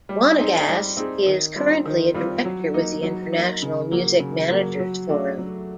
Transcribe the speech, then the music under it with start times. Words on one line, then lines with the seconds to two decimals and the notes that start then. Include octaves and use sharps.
Wanagas is currently a director with the International Music Manager's Forum.
0.09 G3
0.38 C4 D#4 G#4
0.68 G3
0.97 C4 D#4 G#4
1.27 D#3
1.56 G3 C4 F4
1.86 D#3
2.14 G3 C4 F4
2.45 F#3
2.74 A#3 D#4
3.03 F#3
3.32 A#3 D#4
3.62 C#3
3.91 F#3 A#3
4.20 C#3
4.49 F#3 A#3
4.79 F#3
5.09 A3 D4 F#4
5.38 F#3